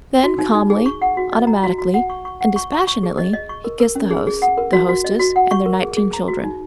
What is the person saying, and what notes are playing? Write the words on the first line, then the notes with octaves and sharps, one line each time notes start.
Then calmly, automatically, and dispassionately he kissed the host, the hostess, and their nineteen children.
F#4
D#4
D#4
G#4
C#6
F#5
F#4
D#5
A#5
F#4
F#4
F#5
C#6
C#6
F#5
C#6
C#6
C#6
G#4
D#5
D#5
C#6
A#4
A#4
C#4
G#4
G#4
F#5
A#4
F#4
F#4
D#5
F#4
F#5
C#6
A#4
G#4
G#4
A#5
F#4
D#4